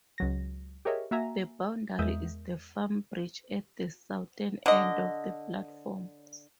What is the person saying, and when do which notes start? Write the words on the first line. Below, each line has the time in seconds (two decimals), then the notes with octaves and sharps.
The boundary is the farm bridge at the southern end of the platforms.
0.18 C#2 F#3 A#6
0.85 G4 G#4 A#4 C#5 D#5 E5
1.11 A#3 F#4 E5 G#5 A#5
1.99 E2 G#3 A#4 E5 D#6 G6
4.66 D3 D#5